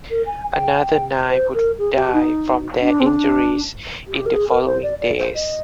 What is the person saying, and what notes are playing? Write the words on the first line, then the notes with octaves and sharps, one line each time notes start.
Another nine would die from their injuries in the following days.
A#4
G#5
G5
C5
A#4
G#4
G4
D#4
D4
C4
D4
G4
A#4
G#4
A#4
C5
D5
D5
C5
D#5